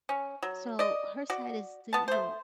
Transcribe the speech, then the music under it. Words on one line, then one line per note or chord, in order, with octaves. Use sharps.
So, her side is the, you know
C#4
F#3
D5 D#5
F#4 D5
B3 A5
A3 C5